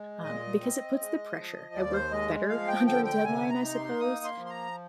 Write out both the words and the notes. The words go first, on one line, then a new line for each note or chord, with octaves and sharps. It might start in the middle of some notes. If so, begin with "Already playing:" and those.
um, because it puts the pressure. I work better under a deadline, I suppose,
Already playing: G#3
A#2 D#5
C4
G#3
F3
D#2 D5
C5
G#3 D#5
F3 F5
G5
D3 G5
G5
C3 G#5
A#5
D#4
C6
A#3 D#6
C6
F3
C6
A#5